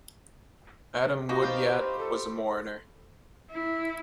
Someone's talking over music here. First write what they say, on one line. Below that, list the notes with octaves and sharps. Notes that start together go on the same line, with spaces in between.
Adam Woodyatt was a mourner.
A#3 B3 D#4 F#4 C#6
C4 F4 G4 C5 D#5 F5 A#5
B5
A4
E4